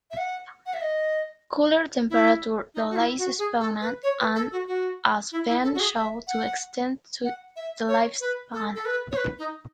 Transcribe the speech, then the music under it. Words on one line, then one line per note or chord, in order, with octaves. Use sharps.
Cooler temperature delays spawning and has been shown to extend the lifespan.
E5
F#5
F#5
E5
D#5
E4
D#4
F#4
E4
F#4
G#4
A4
B4
C#5
B4
A4
F#4
F#4
E4
E4
A4
F#4
G#4
E5
F#5
F#5
E5
C#5
B4
A4
A4
B4
C#5
B4
D#4